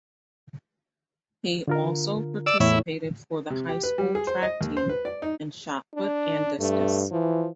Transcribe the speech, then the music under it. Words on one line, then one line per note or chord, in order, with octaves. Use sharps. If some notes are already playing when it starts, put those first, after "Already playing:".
He also participated for the high school track team in shot put and discus.
D3 F4 A#4
D5 E6
E2 A2 E4 C#5
C3
G4
B4
G3
G#4
C5
D#5
D#2
C5
B4
D5
D#4
D4
G2 A3
E3 F3